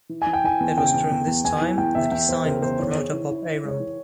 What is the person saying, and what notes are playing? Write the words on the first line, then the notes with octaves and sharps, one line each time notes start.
It was during this time that he signed with promoter Bob Arum.
E3
E3 G#5
G5
E3 G#5
E2
C#3 G5
E2
E2
E2
E2 G#5
E3
E2 G5
E2 E5
E2 G5
E2 C5
C#3 A#4
E2 C5
E3 C#5
G#4
E3
E4
E4
G#3 C#5
E3